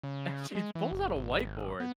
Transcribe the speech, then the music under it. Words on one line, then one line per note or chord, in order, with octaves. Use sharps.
and she pulls out a whiteboard
C#3
G#3
E3
F#1
G#1
B3